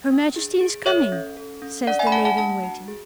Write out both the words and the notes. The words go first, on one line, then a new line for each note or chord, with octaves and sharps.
"Her Majesty is coming," says the lady-in-waiting.
D4
G#4
G#4
A4 C#5 E5
C#4
A4
C#4
D4 D5 F#5
E5 G#5
B5
A3 F#5 A5
F#5 A5
D4 F#5 A5
F#4
G#4